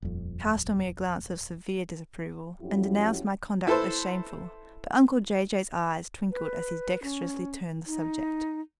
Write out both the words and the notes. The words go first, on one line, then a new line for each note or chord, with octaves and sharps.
She cast on me a glance of severe disapproval, and denounced my conduct as shameful; but uncle Jay-Jay's eyes twinkled as he dexterously turned the subject.
D#1 F2
F2 F#3 C#4 E4 F#4 G4
E4 A4 B4 C5
B4
C#4
D#4